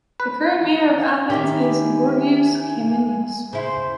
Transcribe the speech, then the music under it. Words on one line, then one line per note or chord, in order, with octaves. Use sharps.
The current mayor of Athens is Giorgos Kaminis.
B4
D#3 A#3 E4 G4 G#5
C#3 E4 C5